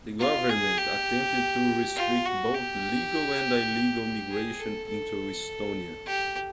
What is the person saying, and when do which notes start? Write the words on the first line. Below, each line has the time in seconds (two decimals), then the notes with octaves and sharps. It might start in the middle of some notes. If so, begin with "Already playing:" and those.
The government attempted to restrict both legal and illegal migration into Estonia.
0.20 F4
0.49 G#4
0.78 G4
1.96 F4
2.25 F#4
2.54 G4
4.30 G#4
4.59 A4
4.89 A4
6.06 G4